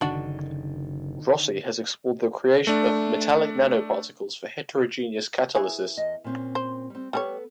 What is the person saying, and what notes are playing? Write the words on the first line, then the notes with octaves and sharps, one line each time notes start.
Rossi has explored the creation of metallic nanoparticles for heterogeneous catalysis.
F#1 D3 D#3 D4 F#4
A3 D4
E3 G#4
E2 D#5
A#2 C4 C#4
C5
G3 C4
G3 B3 G#4 A4 B4 C#5